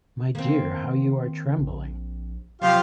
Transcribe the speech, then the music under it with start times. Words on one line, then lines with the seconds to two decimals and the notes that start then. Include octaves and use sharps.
My dear, how you are trembling!
0.35 D#3 A#3 C4
1.58 A#1
2.62 C3 F3 F#3 F4 G4 F5